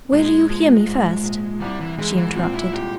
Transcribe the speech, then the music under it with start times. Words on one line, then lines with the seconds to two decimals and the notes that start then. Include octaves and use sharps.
"Will you hear me first?" she interrupted.
0.12 A#1 G#3
0.49 F3
0.86 G#2
1.24 A#1
1.61 C2 G3
1.81 E3
1.98 E3 G#3
2.17 E3
2.35 A#2 C4
2.54 E4
2.73 C2 G4